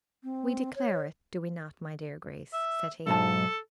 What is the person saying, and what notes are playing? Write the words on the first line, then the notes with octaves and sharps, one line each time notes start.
"We declare it, do we not, my dear Grace?" said he.
C4
C#5
E5
B1 G#2 A4 A5